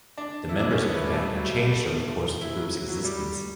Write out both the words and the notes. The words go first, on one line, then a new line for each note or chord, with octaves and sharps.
The members of the band have changed over the course of the group's existence.
D4
E4
D4
C#4
B3
A3
G3
A3
G3
F#3
A3
G3
A3
E4
F#3
F#3
G3